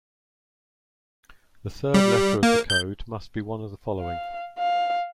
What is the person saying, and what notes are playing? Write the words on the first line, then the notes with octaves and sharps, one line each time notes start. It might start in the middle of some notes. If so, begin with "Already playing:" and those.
The third letter of the code must be one of the following.
G3
A#3
G6
F5
F5